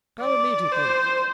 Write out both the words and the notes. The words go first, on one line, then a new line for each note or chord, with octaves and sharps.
Go immediately.
D5
C5